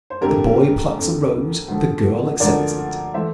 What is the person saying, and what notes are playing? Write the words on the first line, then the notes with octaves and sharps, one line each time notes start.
The boy plucks a rose: the girl accepts it.
C5
F2 D3 A3 G4 A#4
F2 D3 A3
D2 D3 F3 A3
D2 D3 F3 A3 A#4 D5
E3 A3 C5 E5